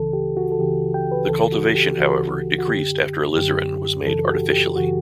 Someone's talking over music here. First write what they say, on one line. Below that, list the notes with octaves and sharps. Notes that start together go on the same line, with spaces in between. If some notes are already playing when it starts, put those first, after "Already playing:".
The cultivation, however, decreased after alizarin was made artificially.
Already playing: C#2 C#3 E3 A4
G4
F#4
A4
C#2 C#3 E3 G4
G5
B4
C#2 C#3 E3 A4
F#4
G4
C#2 C#3 E3 F#4
F#4
F#2 D3 G4
F#2 D3 G4
F#2 C#3 E3 A4
F#4
G4
G4
F#2 C#3 E3 F#4